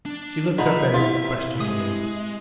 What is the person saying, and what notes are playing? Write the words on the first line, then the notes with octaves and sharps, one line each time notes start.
She looked up at him questioningly.
D4
D3 F3 D#4 E5 B5
C3 E4 F4
G#3 D#6